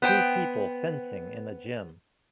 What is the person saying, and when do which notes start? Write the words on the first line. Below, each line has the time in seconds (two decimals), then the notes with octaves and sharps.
Two people fencing in a gym.
0.02 B3 C5 G5